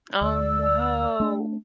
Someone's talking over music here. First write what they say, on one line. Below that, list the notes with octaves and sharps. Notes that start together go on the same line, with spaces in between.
Oh, no.
D2 D5 E6
A3 D4